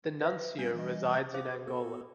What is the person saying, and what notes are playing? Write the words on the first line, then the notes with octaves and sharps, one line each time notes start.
The nuncio resides in Angola.
B4 E5 F5
G3 B3 C4 D4
E3 G3 D#5
G#4 C5 F5 D6
B3 F#4 A4